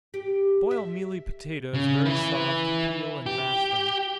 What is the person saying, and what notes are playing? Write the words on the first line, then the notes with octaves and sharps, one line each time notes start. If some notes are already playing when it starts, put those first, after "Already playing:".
Boil mealy potatoes very soft, peel and mash them.
G4
E5
C#3
E4 B4
G4